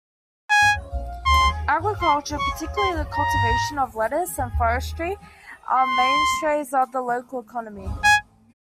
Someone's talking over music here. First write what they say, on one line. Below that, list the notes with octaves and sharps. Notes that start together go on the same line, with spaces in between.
Agriculture, particularly the cultivation of lettuce, and forestry are mainstays of the local economy.
G#5
C6
C6
C#6
C6
A#5
C6
G#5